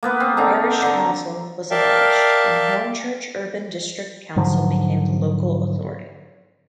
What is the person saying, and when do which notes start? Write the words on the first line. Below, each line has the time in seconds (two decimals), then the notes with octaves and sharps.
The parish council was abolished and Hornchurch Urban District Council became the local authority.
0.03 A#3 B3 B4
0.20 C4
0.37 D3 C4 D#4 A#4
0.82 D3 A#5
1.71 A#4 D5 E5 F5 G5 A5
4.36 G#2 D3 F3 F#3